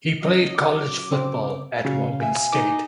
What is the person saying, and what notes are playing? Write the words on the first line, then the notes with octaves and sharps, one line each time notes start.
He played college football at Morgan State.
F#3 C#4 D#5
D6
C#3 C4
C#3 C#4 F#4 F5
B2 E5 G#5
D#4 D6